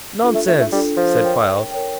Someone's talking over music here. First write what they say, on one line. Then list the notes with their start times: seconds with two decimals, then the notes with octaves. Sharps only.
"Nonsense," said Files.
0.23 D4 F4 A4
0.35 A3
0.48 A3
0.60 A3
0.72 G3 D4 F4 A4
0.97 F3
1.22 A#4 C#5 G5
1.71 A#4 C#5 G5